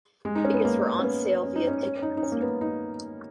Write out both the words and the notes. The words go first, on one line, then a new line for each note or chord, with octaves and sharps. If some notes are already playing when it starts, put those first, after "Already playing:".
Tickets were on sale via Ticketmaster.
G#3
D#4
C#4
B3
A#3
C#4
B3
C#4
D#4
C#4
C#4
D#4
D#4
C#4
A#3
B3
D#4